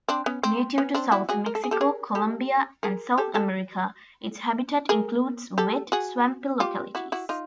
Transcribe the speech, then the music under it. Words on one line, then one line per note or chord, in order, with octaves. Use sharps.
Native to south Mexico, Colombia and South America, its habitat includes wet, swampy localities.
C4 D4
B3 C#4
C4
B3 C#4
C4 D4
E4 F#4
F#4 G#4
A#4
A4
G#4
G4 A4
G#4 A#4
G4 A4
G#4 A#4
G4 A4
G4 A4
G#4 A#4
G4 A4
F#4 G#4
F4 G4
E4 F#4
E4 F#4
D#4 F4